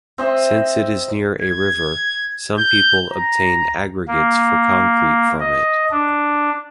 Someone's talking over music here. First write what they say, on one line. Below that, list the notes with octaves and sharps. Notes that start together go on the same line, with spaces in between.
Since it is near a river, some people obtain aggregates for concrete from it.
C4 D#5 E5
G#6
G6
A#5
A#3
D#5
D4